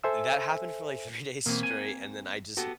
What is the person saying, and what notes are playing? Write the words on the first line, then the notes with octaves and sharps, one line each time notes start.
that happened for, like, three days straight, and then I just
A4 C5 E5 G#5 E6
B2 E3 A#3 C4
G#5
B3 F#4 G4 A4